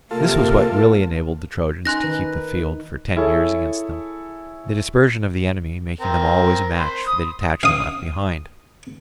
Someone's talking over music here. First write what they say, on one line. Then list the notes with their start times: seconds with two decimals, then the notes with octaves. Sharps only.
This was what really enabled the Trojans to keep the field for ten years against them; the dispersion of the enemy making them always a match for the detachment left behind.
0.11 C3 A#3 F4 A4 A#4
1.85 C#4 D#4 C6 F#6 A#6
2.04 D#3 B4
3.16 E4 G#4 A4 C#5
6.01 C4 A#4
6.78 C5 B5
7.07 D#6
7.63 F5 D#6